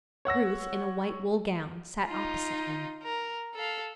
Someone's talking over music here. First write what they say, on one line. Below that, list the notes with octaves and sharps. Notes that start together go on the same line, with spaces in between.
Ruth, in a white wool gown, sat opposite him.
C#5 F#5 E6 A#6
D#4 F4
A#4
A4 F5